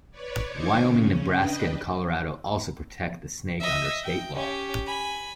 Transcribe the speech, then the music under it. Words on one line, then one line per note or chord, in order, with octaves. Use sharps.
Wyoming, Nebraska, and Colorado also protect the snake under state law.
B4 C#5 D5
D3 D#4 C5 C#6 D6 G#6
C#3 C#4
D4 B4 D#5 G5
D#5 E5
G5
C#4 G4
G#5 B5